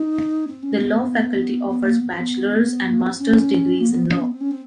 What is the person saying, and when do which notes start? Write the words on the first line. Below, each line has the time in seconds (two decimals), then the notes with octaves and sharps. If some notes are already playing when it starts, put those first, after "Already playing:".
The law faculty offers Bachelor’s and Master’s degrees in law.
Already playing: D#4
0.47 C4
0.62 C#4
0.78 B3
1.68 B3
1.84 A#3
1.99 B3
2.08 C4
2.19 B3
2.89 A#3
3.00 B3
3.10 C4
3.20 C#4
3.80 A#3
3.90 B3
4.11 C#4
4.20 B3
4.31 C4
4.40 C#4
4.51 C4